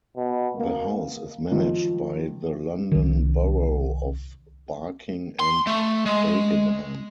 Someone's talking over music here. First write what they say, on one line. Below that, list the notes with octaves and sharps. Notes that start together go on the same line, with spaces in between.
The house is managed by the London Borough of Barking and Dagenham.
B2
A#3
D#3 F3
C2 D#3
C6
A3
G#3